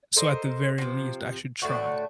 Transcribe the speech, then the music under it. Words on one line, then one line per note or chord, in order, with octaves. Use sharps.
So, at the very least, I should try.
A4 A#4 C5 D#5
C3 F3
A2 D3 A3 F#4